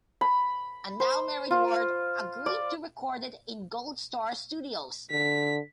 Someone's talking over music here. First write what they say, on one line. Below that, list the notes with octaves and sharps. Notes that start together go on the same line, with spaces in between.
A now-married Ward agreed to record it in Gold Star Studios.
B5
C5
F4
D5
D3 B6